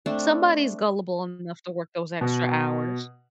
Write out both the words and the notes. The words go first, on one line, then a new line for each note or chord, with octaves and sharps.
somebody's gullible enough to work those extra hours.
A3 C4 D4
B2